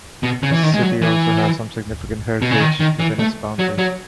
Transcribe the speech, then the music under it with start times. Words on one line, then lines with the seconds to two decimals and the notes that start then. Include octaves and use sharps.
The City also has some significant heritage within its boundaries.
0.23 B2
0.43 C#3
0.53 E3
0.63 D#3
0.74 G#3
0.82 F#3
1.02 E3
2.42 B2
2.51 C#3
2.60 D#3
2.80 D#3
3.00 E3
3.19 A3
3.59 F#3
3.78 F#3